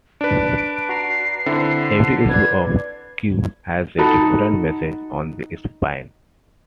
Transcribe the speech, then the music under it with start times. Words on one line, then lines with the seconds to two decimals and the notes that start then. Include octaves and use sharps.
Every issue of "Q" has a different message on the spine.
0.21 D4 B4 D7
0.89 F#4 A#5 C7
1.46 D3 C4 E4
2.30 B4 D5 G#6
3.98 D#4 F#4 A4 B5